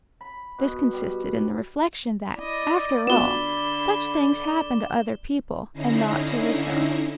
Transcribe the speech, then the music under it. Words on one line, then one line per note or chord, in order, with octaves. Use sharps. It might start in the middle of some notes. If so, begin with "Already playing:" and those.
This consisted in the reflexion that, after all, such things happened to other people and not to herself.
B5
B2
G3
E4 D5 D#5
D3 B3 F4 F#4 B5 E7 G7
D3 C#4 D#4 E4 A#6 C7